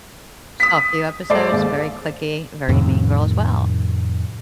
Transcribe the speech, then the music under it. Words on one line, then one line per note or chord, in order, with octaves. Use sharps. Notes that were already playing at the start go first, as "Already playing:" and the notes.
saw a few episodes, very cliquey, very mean girl as well,
D#6 B6
G#2 A4 C5 D5
D#2 G#2 G#3
F2 A2 C3 D#3